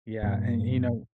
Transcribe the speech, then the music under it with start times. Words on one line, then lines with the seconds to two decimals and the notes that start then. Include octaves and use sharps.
Yeah, and, y you know
0.23 G2 A#2